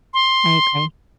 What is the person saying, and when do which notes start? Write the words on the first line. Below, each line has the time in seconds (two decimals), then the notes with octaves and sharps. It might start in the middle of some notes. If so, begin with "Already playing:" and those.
I agree.
0.14 C6